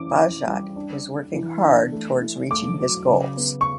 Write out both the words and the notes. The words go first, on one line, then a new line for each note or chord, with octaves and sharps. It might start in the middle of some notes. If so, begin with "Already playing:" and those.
Bahjat is working hard towards reaching his goals.
Already playing: E3 C#4 D6
E3
G3
D4
D4
E3
D4
A3
E4
A3 D6
F#3
C#3
B3
C#6